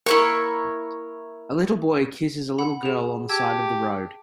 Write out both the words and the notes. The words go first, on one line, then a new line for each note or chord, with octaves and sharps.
A little boy kisses a little girl on the side of the road.
E4 A#4 C#5 C#6
F#5 B5
G#4 E7
G4 A5 E6 G#6